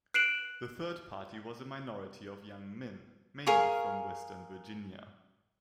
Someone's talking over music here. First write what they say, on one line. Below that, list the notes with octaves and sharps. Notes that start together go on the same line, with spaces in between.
The third party was a minority of young men mainly from western Virginia.
F#6 C7 D7 E7 F#7
G#4 A#4 F5 C#6